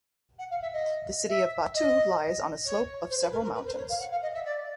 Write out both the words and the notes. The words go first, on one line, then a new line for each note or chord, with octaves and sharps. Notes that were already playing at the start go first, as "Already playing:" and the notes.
The city of Batu lies on a slope of several mountains.
F#5
F5
E5
D#5
E5
D#5
C#5
C5
B4
A#4
A#4
B4
C5
C#5
F5
F#5
F5
D#5
E5
D5